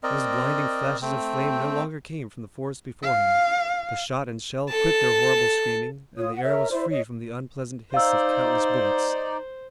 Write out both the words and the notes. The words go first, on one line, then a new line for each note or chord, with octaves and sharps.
Those blinding flashes of flame no longer came from the forest before him, the shot and shell quit their horrible screaming, and the air was free from the unpleasant hiss of countless bullets.
C4 A#4 D5 D#5
A3 C4 G5
F5
A4 A5
F4 C#5 D#6
F#5
A#4 C#5 E5 F6
E4 C5 D5
C#5 D#5
D#4 C5 D5 F5 E6